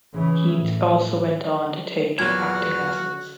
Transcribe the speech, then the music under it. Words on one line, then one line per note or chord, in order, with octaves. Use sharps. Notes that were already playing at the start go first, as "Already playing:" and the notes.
Heath also went on to take acting lessons.
C#3 E3
A2
E2 A#2 F#3 B3 F#4 F6 G#6